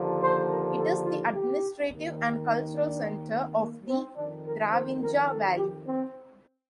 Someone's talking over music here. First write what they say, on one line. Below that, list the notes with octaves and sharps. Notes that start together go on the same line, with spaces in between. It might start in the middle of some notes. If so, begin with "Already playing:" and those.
It is the administrative and cultural centre of the Dravinja Valley.
Already playing: D#2 D3 F3
C5
A#4
A4
F4
G4
D#2 D#3
D#4
D4
A#3
C4
F2 D#3 D4
A#4
C5
A#4
A4
G4
C4